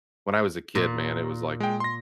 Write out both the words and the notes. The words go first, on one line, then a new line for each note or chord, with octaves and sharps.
when I was a kid, man, it was, like,
A#2
G#3 G5
C6 A#6